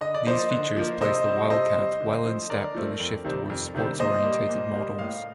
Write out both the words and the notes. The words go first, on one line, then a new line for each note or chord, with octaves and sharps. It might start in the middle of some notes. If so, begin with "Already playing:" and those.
These features placed the Wildcat well in step with the shift towards sports-oriented models.
D3 D#5
D5
F3 A#3 C5 D#5
D3
F3 A#3
C3 C5 D#5
G3 C4
C3 C5 D#5
G3 C4
D3
F3 A3 C4
D3 A#4 D5
F3 A3 C4
F2
C3 D#3 G3 C4
F2
C3 D#3 G3 C4
A#2 C5 D#5
G3 A#3
A#2
G3 A#3
A2 F5